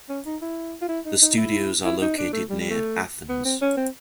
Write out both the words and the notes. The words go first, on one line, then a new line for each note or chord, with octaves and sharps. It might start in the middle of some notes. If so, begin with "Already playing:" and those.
The studios are located near Athens.
C#4
D#4
E4
F4
E4
D#4
D#4
E4
E4
D#4
D4
A3
G3
G3
A3
B3
C4
C#4
C4